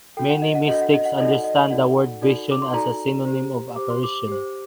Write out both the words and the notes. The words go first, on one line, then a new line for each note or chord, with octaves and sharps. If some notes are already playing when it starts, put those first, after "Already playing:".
Many mystics understand the word vision as a synonym of apparition.
D4 F#4 A4 G5
F#5
D#5
F#5
D4 F#4 A4 D#5
F#5
D#5
F#5
D#4 F#4 A4 D5 D#5
F#5
D#5
D#4 F#4 A4 D5 F#5
D#4 F#4 A4 D5
D6
C6
D#4 F#4 A4 D5 A#5
G4 C5
G4 C5 D6
C6
D6
G4 C5